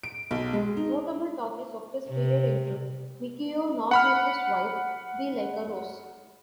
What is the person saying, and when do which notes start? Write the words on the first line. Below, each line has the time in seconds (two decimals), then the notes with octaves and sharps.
Notable talkies of this period include Mikio Naruse's Wife, Be Like A Rose!
0.03 D7
0.31 B1
0.53 G#3
0.77 D#4
2.10 C3
3.91 F#5 B5 F6